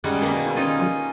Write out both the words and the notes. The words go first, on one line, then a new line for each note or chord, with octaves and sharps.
That's awesome.
G3 G#3 C#4 D#4 F#5
B2 D#3 G3 A#3
C#4 D#4 F4